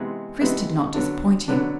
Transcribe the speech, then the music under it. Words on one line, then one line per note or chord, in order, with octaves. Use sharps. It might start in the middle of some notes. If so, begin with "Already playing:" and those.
Chris did not disappoint him.
Already playing: C3 E3 G#3 B3 D#4
C3 E3 G#3 B3 D#4
D3 F#3 B3 D4
D3 F#3 B3 D4